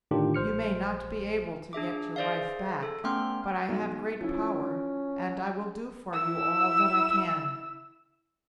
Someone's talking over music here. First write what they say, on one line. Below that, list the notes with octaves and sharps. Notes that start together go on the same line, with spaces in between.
You may not be able to get your wife back, but I have great power and I will do for you all that I can.
A2 D3 D#3 D4 F4 G4
A#1 C5 F6 C#7
D4 G#4 E5 D6
G#4 C5 D5 E5 F5
A4
A3 B3 C#4 G5 C6 F6
B1
F3 C#4 E4
E4 E6